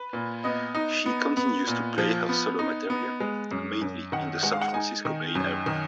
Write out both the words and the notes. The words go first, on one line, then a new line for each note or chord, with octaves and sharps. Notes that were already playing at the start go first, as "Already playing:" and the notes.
She continues to play her solo material, mainly in the San Francisco Bay Area.
Already playing: B4
A#2
B3 D#5
D#4
B3
B3
A#2
F3
B3
D#4
B3
G#3
F#2
F#2
D#3 F#5
G#3 F#5
F5
F#5
D#4 G#5
D#3
F#2
D#3